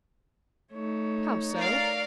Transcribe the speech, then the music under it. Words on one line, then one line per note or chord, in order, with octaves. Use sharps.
"How so?"
A3 D#4 C#5
A#4 D5 F5